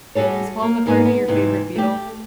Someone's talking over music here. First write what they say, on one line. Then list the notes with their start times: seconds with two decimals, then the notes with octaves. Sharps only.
Is Paul McCartney your favorite Beatle?
0.15 G3 F#4 G#4 A4 C#5
0.62 A#3
0.86 G#2 A#3 B3 G#5
1.05 B3
1.28 G#2 C3 E3
1.76 A3 G4